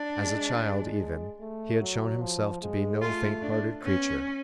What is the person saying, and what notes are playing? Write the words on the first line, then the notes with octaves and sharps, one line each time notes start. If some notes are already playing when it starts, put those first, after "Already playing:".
As a child, even, he had shown himself to be no faint-hearted creature.
Already playing: D4
G#3
G#3
A3
F#3
F3
G#3
A3 F4
D4
B3 C#4